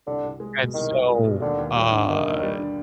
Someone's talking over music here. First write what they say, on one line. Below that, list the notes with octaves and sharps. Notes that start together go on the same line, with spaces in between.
And so, uh,
C2 D3
C2
G#3
B2
C2 D#3
C2
G#3
B2
D#2 D3
D#2
G3
D3
D#2 D#3
D#2
G3
D3